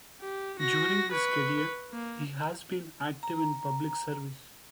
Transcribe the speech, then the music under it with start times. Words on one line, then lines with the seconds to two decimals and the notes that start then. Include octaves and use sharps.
During his career, he has been active in public service.
0.21 G4
0.59 F#4 A#6
1.12 B4 C#6
1.92 A#3
3.23 A#5